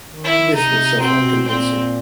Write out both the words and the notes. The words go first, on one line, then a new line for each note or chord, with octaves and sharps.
This was so far convincing.
D#3
E4
C3 D#4
B2 C4
C3
B2
A#2 C4